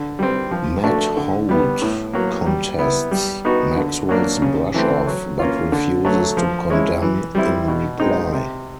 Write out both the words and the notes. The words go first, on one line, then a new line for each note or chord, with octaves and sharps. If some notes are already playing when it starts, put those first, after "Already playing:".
Matt Holt contests Maxwell's brush-off, but refuses to condemn in reply.
Already playing: D3
G3 C4
F3
A3 D4 F#4
D3
G3 B3
A2
F#3 A#3
G3
B3 E4
G3
B3 D#4 F#4
D3
F#3 A#3 D4
C#3
E3 A3 C4
F#3
A#3 C#4 F4
D3
F#3 A3
F3
G#3 C#4 E4
E3
G3 C4 E4
B2
G#3 C4 D#4
C3